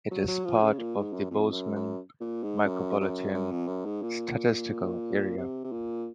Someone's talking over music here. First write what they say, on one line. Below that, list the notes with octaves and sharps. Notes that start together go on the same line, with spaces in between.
It is part of the 'Bozeman Micropolitan Statistical Area'.
F#3
F#3
F3
C#3
A#2
G#2
F#2
F2
F#2
F#2
A#2
G#2
F#2
F#2
F#2
F2
F#2
G#2
A#2
C3
C3
A#2